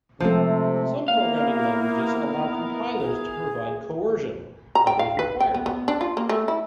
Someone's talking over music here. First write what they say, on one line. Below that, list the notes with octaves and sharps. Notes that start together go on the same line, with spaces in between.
Some programming languages allow compilers to provide coercion; others require it.
C3 F3 G#3 A3 C4 A4
A#3 B3 E4 A#4 F5
G#4
A#5
G5
F5
B4
G5
B3
B3
D4
F4
A#3
A3
E4